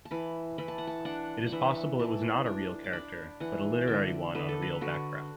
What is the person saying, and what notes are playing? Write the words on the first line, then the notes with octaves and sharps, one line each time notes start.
It is possible it was not a real character but a literary one on a real background.
A5
E3 B5
E3 B5
A5
F#5
A5
D4 F#5
F#5
E3 E5
E3 A5
D4
D6
D4 B5
E3 F#5
D5
D3 E5
D3 B4
A4
B4
D3 F#4